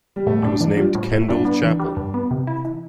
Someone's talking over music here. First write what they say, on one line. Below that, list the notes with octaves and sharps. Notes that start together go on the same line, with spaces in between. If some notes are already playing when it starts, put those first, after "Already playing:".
It was named Kendall Chapel.
G3
A2 A3
A2 D4
E3 D4
G3 F4
A2
A2 E4
G2 D4
B3
E3
G3
G2
B3
C3
E4
E3